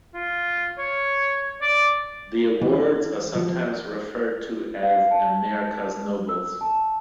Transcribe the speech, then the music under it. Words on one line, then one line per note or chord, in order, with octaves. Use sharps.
The awards are sometimes referred to as "America's Nobels".
F4
C#5
D5
E3
F3
F5
A5
E6
A5